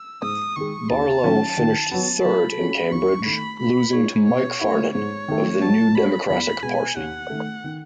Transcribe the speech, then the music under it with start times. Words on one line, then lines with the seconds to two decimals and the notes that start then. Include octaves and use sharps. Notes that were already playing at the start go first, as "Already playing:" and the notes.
Barlow finished third in Cambridge, losing to Mike Farnan of the New Democratic Party.
Already playing: E6
0.22 G#2 D#6
0.56 D#3 G#3 C#6
0.90 D#2 A5
1.24 D#3 F#3 C#4
1.58 D#3
1.91 F#3 B3
2.25 F#3 B5
2.59 C#4 F#4 A4 C#5
2.92 D#2 C#6
3.26 D#3 A3 B5
3.60 B2 B5
3.93 G#3 D#4 G#4 C#5
4.27 B2 C#5
4.61 A3 E4
4.94 G#2 C#5
5.28 D#3 A3
5.62 F#3 A5
5.96 C#4 F#4 C#5 B5
6.29 E2 B5
6.63 B2 G#3 B3 G#5
6.96 D#2 F#5
7.30 D#3 A3
7.64 D#3